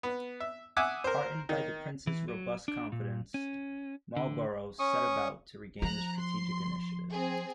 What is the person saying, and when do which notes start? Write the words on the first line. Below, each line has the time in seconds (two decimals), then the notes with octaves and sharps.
Heartened by the Prince's robust confidence, Marlborough set about to regain the strategic initiative.
0.03 B3
0.40 E5
0.77 E5 F#5 G#5 D6 D#6
1.04 A#4 C5
1.49 D#3
2.07 E3
2.28 F#3
2.68 D4
2.92 A#2
3.34 C#4
4.17 D3
4.79 C#4 C#6 D#6
5.82 F3 A#5 F#6
6.18 C6
7.12 C4 G#4